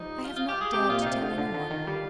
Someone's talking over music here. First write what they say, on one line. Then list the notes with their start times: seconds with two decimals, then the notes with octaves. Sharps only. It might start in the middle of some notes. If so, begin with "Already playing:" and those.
I have not dared to tell anyone.
Already playing: F3 G3 D#4
0.24 F4
0.36 F4
0.49 G4
0.61 G#4
0.73 C3 G4
0.89 A#2 F4
1.01 D#4
1.06 C3 F4
1.21 D3
1.38 D3
1.54 D3
1.70 D#3
1.87 G3